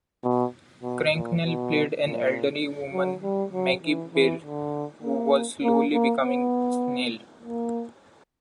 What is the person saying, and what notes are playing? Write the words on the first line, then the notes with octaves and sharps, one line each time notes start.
Cracknell played an elderly woman, Maggie Beare, who was slowly becoming senile.
B2
B2
A#2
B2
A#2
F#3
G3
F#3
E3
E3
D3
A#3
A#3
A#3
B3
A#3